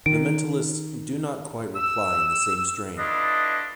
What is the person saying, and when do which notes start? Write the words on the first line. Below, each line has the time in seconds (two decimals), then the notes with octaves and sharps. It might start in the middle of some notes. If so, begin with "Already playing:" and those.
The mentalists do not quite reply in the same strain.
0.06 D#3 D7
1.76 E6
2.98 D4 E4 F4 A4 B4 D#5